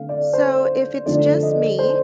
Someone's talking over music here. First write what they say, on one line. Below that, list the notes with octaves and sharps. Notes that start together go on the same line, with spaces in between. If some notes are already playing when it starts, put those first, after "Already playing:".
So if it's just me,
Already playing: D3 A3 F5
D5
C5
D3 F3 A3 D5
D#5
C5